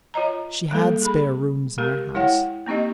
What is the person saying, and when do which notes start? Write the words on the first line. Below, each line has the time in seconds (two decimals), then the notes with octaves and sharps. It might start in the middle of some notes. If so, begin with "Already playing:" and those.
She had spare rooms in her house.
0.14 F4 C#5 D#5 A#5
0.71 G3 G#3 A#3 A4
1.02 G#4 B5
1.78 G#3 G4 A#4
2.14 G#3 E4 C#5 F#5 G5
2.66 A#3 C4 D#4 G4 D#5